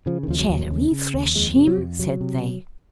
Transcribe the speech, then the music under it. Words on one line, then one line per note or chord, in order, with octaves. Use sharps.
"Shall we thrash him?" said they.
C#3 F3
D#3
D#2 F3
F#3
D#2
C#3
C#3
D#2
F2 G#3
C3
F#3
F2
C3 F#3
C3